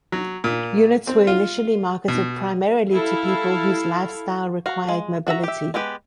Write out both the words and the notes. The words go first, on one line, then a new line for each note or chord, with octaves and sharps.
Units were initially marketed primarily to people whose lifestyle required mobility.
F#3
A#2
C4
F4
B2
E4 A4 F5
F#4 F5
G#3
D4 F#4 E5 A#5
G4 E5
G#3 B3 G4 B4